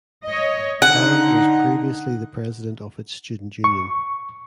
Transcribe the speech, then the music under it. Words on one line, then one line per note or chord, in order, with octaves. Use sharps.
Han was previously the president of its student union.
C#5 D#5
D3 D#4 F#5
C#6